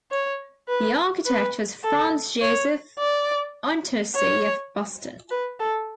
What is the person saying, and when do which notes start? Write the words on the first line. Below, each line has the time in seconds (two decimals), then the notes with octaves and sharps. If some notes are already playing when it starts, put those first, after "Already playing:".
The architect was Franz Joseph Untersee of Boston.
0.11 C#5
0.68 B4
1.26 B4
1.84 A4
2.41 C#5
2.99 D5
4.15 C#5
5.31 B4
5.59 A4